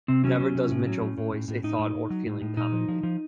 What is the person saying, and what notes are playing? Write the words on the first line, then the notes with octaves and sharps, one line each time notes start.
Never does Mitchell voice a thought or feeling commonly.
C3 C4
F#3 C#4
F#3
C3
A2
F#3
A2
A2
A2
A2
A2 D#4
A2
A2
F#3
A2
A2
A#2 D#4
F3
F3
F3